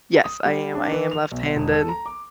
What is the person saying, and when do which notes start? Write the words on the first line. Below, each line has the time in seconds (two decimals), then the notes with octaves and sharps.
Yes, I am, I am left-handed,
0.24 D#6
0.45 G3
0.74 D4
0.92 E3
1.11 F7
1.31 B1
1.56 E1
1.72 A4
1.89 A#5
2.06 D6